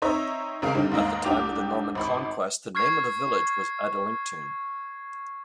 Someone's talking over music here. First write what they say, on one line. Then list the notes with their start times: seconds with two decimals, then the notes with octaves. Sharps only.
At the time of the Norman conquest the name of the village was Adelinctune.
0.02 C4 D#4 C#5 D#5 E5 A#5
0.62 G#1 C#3 A#4 F5
0.75 D3 G3 C4 D#4
0.92 D#2 G#2 A#3 D#5
1.24 C2 D4 G4 D6 F7
1.95 G#1 B5 C6
2.75 C#6 F6 G#6 C7